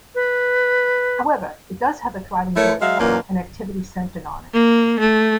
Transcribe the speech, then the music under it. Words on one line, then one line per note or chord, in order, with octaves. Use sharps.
However, it does have a thriving village hall and activities centred on it.
B4
A3 E4 A#4 C#5
F#3 G#3 E5 F5
F#2 A#2 E3 A#3
A#3
A3